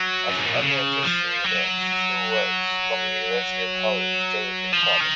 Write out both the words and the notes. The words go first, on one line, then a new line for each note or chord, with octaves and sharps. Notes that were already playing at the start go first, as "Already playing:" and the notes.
As an Emeritus Reader she still works from the University of Hull's Geography Department.
Already playing: F#3
F#2
G#2
A#2
B2
C#3
F3
F#3
F3
D#3